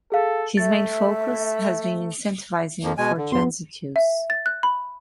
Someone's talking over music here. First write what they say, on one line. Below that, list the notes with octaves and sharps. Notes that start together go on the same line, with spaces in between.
His main focus has been incentivizing for transit use.
G#4 A4 F5
A3 E5 A6
F2 F3 A#3
B2 G#3 G#5
D3
E2 G2 B3 C6
E5
A6
F#6
B5